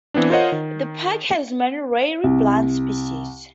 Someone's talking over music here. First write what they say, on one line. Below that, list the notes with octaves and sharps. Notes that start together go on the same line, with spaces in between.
The park has many rare plant species.
E3 B3 C4 D4
F4 A#4 C5 C#5 D#5 F#5
D#3
C2